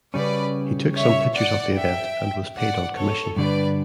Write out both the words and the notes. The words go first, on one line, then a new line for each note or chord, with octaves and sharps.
He took some pictures of the event, and was paid on commission.
C#3 G3 C#4 B4 D5
C#5 E5
D5 F#5
E5 G5
D5 F#5
A4 C#5
G2 D3 G3 D4 B4 D5